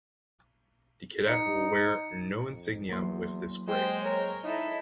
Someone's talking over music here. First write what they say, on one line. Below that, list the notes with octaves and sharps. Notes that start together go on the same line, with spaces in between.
The cadet will wear no insignia with this grade.
D#4 C#7
F2
E2 F#3 A#3 C6
G#3 C5 G5
A#4 C#5
D#4 E4 A4